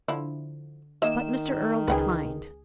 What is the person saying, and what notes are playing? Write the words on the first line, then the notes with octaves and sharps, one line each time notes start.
But Mr. Erle declined.
D3 F3 E4
D#3 A#3 D#5 E5 E7
C#2 G#4 B4 F#5 G5